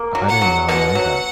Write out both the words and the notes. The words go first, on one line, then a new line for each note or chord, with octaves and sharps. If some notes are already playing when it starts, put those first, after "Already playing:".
I did not know that.
Already playing: A#3
F#3
F#5
F#3
B2 F#5
F#3